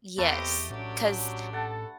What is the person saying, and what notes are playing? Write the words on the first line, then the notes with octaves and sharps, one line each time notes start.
Yes, 'cause
E2 A3 B3 C4 G4 B4 D#5 A5
A2 F#3 C#4 D4 G4
A4 F#5 A5